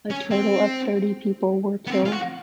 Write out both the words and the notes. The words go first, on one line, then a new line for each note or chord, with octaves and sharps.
A total of thirty people were killed.
C#4
C4
B3
C4
F4
F#4